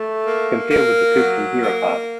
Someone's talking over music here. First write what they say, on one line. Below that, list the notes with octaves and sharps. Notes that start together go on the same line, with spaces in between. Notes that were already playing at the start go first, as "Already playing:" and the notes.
Compare with the kutsinhira part.
Already playing: A3
A#3
A#3
F#3
A#3